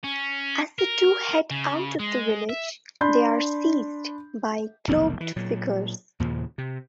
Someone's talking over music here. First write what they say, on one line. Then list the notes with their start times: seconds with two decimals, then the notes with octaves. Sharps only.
As the two head out of the village they are seized by cloaked figures.
0.04 C#4
0.79 A#4
1.51 C#3
2.00 G#3
2.49 E5
3.01 D4 B5 C6 G6
4.88 F1 B1 F2 D#3
5.20 E3
5.36 A#2 F#3
6.20 D#2 A#2 C#3 F3
6.58 C3